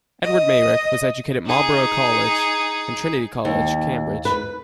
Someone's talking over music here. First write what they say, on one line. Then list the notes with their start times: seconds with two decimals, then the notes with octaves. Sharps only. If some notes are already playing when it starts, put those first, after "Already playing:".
Edward Meyrick was educated at Marlborough College and Trinity College, Cambridge.
0.24 D#5
1.46 D#4 G#4
3.45 D#2
4.25 B4